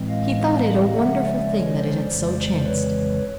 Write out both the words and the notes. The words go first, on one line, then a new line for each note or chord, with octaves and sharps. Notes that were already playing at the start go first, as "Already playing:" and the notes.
He thought it a wonderful thing that it had so chanced.
Already playing: A2 E3 G#3 C4
D#5 F5
C#3 F3 G#3 C#4 E5 F#5
D5 E5
C#5 D#5
C5 D5
F2 C#3 E3 G#3
B4 C#5